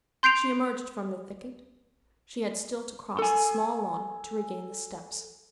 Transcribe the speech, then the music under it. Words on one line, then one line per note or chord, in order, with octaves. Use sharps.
She emerged from "the thicket"; she had still to cross a small lawn to regain the steps.
C6 G6 C7 D7 F7
A4 G#5